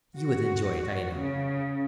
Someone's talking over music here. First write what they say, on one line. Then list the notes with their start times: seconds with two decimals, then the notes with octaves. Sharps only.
You would enjoy it, I know.
0.15 F#4
1.14 C#3